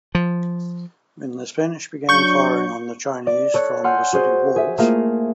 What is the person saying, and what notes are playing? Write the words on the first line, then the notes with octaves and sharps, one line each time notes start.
The Spanish began firing on the Chinese from the city walls.
F3
F#3 D4 C#6 G6
D5
A4 C#5 E6 F#6
F#5 G#5 C6 E6 F6 G6
F#4 G#4 C5
G#4 E5
A3 A#3 F4 G#4 A#4 F5